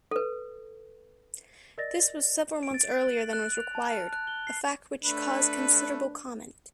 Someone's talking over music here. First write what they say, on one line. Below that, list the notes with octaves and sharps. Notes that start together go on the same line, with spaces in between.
This was several months earlier than was required, a fact which caused considerable comment.
A4 B4
A#4 D5 D#5 A6 A#6
D7
A6
F#6
F#7
F#6
F7
A5
F6
F#6
G7
C7
A3 D4 B4